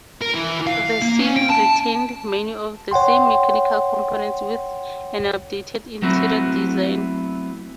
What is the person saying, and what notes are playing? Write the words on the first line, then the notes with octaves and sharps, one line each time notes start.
The sedan retained many of the same mechanical components with an updated interior design.
A#4
E3
F5
A#3
C#4
G5
A5
C#5 F#5 G5 C6
F#3 A3 B3 C4 E4 F#4